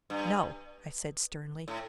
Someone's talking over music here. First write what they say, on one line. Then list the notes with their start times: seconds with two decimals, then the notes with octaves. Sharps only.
"No," I said sternly.
0.10 G2
1.68 A2